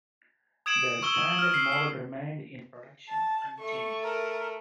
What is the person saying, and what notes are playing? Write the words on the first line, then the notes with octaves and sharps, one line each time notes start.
The standard model remained in production unchanged.
D#6 G#6 D7 E7 F#7
C#6 E6 G7
F6
C7
C7
A5
A3 C#6
A#4